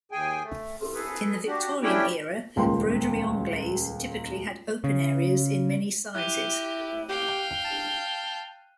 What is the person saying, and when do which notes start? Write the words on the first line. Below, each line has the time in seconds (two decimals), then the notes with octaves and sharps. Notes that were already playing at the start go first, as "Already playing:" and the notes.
In the Victorian era, broderie anglaise typically had open areas in many sizes.
0.11 D#2 G#4 G5 G#5
0.43 A3
0.94 G#4 A4 B4
1.46 D4 F#4 G4
1.82 A3 C#4 D4 E4 G4 G5
2.56 D#1 C#2 A#3 G5 C6
4.84 C#3
6.15 E4 G4 F#6 D#7
7.09 G4 F5 G5
7.65 A5